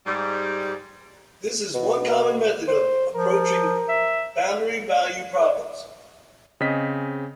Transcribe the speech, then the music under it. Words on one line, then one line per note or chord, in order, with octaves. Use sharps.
This is one common method of approaching boundary value problems.
G#2 G3
B2
C5
F3 A#4
E5
C#3 C4 G#4 D#5 B6